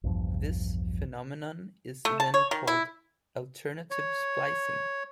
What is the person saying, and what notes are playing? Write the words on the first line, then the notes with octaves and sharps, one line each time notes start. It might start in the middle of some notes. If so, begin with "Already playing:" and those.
This phenomenon is then called alternative splicing.
A#1 E2 G2 F3
A3
A5
C#5
D#3
E4
C#5